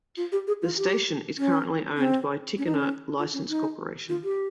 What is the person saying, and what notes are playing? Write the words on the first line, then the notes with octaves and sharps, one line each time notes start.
The station is currently owned by Tichenor License Corporation.
F4
G4
G#4
F4
G4
C#4
C4
C#4
D#4
C#4
F4
C#4
D#4
F4
G4